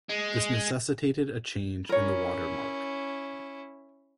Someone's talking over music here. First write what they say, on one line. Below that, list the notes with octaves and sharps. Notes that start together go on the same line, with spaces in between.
This necessitated a change in the watermark.
G#3
C#4 E4 A#4 C#5